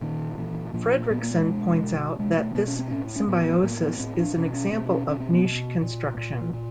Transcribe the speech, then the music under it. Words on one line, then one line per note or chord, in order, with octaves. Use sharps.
Frederickson points out that this symbiosis is an example of niche construction.
A#2 D#3
A#2 E3
A#2 F3
A#2 B3
A#3
G#3
B2
B2
B2 G#3
A3
B2 B3
C#4
C4
A2 C#4
C#4
A2 B3
A2 A#3
B3
A2 C4
D4
B2 C#4
C#4
B2 C4
C#4
B2 C#4
C4
B3
B2
A#2
A#2
A#2